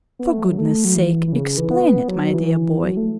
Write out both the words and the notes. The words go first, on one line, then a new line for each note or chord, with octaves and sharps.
For goodness' sake, explain it, my dear boy.
B3
A3
F#3
A3
F#3
E3
E3
C#3
C#3
E3
B3
F#3
F#3
E3
F#3
A3